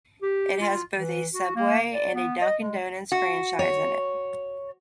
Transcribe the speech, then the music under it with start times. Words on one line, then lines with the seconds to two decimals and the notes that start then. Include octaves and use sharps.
It has both a Subway and a Dunkin' Donuts franchise in it.
0.22 G4
0.61 F4
0.97 E3
1.33 F#4
1.56 A#3
1.91 D5
2.14 B3
2.41 D#5
2.61 G#3
3.12 F#4
3.59 C#5